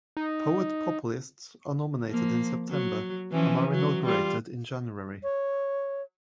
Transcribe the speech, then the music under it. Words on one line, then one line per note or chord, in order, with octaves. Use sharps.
Poet Populists are nominated in September and are inaugurated in January.
D#4
F3 A#3
F#3
E3 F3 C#4
F#3
G3 F4
C#5